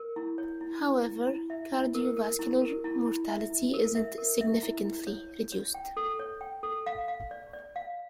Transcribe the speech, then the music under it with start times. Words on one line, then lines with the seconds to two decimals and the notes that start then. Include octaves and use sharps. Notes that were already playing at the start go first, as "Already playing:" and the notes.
However, cardiovascular mortality is not significantly reduced.
Already playing: A#4
0.16 E4
0.38 C#5
0.61 E4
0.83 E4
1.06 E4
1.27 E4
1.50 E5
1.72 E4
1.95 A#4
2.17 A#4
2.39 E4
2.62 A#4
2.84 E4
3.06 E4
3.29 E5
3.50 E4
3.74 A#4
3.95 E5
4.18 A#4
4.41 E5
4.63 E4
4.85 E4
5.07 C#5
5.29 C#5
5.52 C#5
5.74 G5
5.97 A4
6.19 C#5
6.41 G5
6.63 A4
6.86 F5
7.08 F5
7.31 D5
7.53 D5
7.76 F5